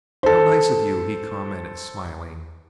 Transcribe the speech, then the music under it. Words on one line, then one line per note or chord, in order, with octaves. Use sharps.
"How nice of you!" he commented, smiling.
A4 C5